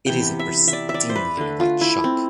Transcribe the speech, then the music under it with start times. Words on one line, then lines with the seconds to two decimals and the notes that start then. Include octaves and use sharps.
It is a pristinely white shop.
0.06 C3 E3 B3 G5
0.39 E5
0.68 E5
0.73 D5
0.89 E5
0.94 D5
1.10 C5
1.16 B4
1.37 D3 A3
1.60 F4
1.81 E4
2.04 C4